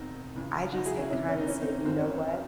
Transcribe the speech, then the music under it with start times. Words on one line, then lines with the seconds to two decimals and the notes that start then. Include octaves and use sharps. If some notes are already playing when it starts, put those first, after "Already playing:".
I just had kinda said, "You know what"
Already playing: E1 E2 D#3 C4 D#4
0.36 C#2 C#3 E3
0.73 D#4 F#4
0.85 E4 G#4
0.97 C#4 E4
1.10 C#2 C3 E3 C#4 E4
1.28 C#4
1.38 D#4
1.48 C#4 E4
1.60 C4 D#4
1.72 C#4
1.85 G#1 F#2 E3 C4
1.98 C#4
2.10 C#4